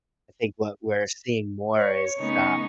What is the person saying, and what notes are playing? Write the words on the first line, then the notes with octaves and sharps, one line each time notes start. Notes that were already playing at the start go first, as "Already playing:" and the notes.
I think what we're seeing more is, uh
C#5
C#3 A3 B3 C#4 D#4 C#6